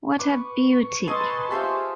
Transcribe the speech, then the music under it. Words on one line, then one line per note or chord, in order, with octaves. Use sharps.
What a beauty!
B4 C#6 D6
G#4 A4 B4 D#5 A5 C6 D#6 D#7
F4 G4 G#4 C5 E5 A5